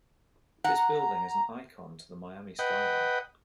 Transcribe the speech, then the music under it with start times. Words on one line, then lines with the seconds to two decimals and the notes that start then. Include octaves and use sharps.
This building is an icon to the Miami skyline.
0.64 F#5 A#5
2.59 B4 D#5 F#5 G5